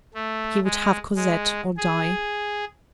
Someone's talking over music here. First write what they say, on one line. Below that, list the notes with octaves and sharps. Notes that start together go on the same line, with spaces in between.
He would have Cosette or die.
A3
G#3
G#3
G#4